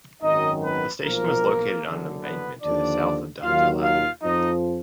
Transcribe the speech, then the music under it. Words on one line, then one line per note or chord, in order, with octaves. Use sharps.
The station was located on an embankment to the south of Dunville Avenue.
G#1 F#2 D#3 F#3 D#4 D#5
B3 B4
B1 A#2 F3 A#3 A#4
F#1 F#2 D3
B3 B4
D#2 D3 F3 D4 D5
D#2 D#3 F#3 F4 F5
F4 F5
F2 F3 D#4 D#5